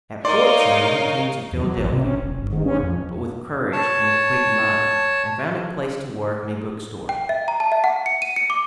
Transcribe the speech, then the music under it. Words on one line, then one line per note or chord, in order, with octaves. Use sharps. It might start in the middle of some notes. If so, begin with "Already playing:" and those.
At fourteen he came to Philadelphia, poor, but with courage and a quick mind, and found a place to work in a bookstore.
D#4 A#4 C#5 D5 F5 C6
E2
F#3
A1
C3
C#4
D#1
G1
D#3
C#4
F2
C#5 A5
G5
E5
A#5
A5
E5
F#5
C#7
D#7
C#7
D6